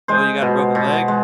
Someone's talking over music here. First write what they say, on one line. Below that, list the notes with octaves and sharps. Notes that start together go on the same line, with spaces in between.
"Oh, you got a broken leg?"
G#3 C5
B2
B2
G#3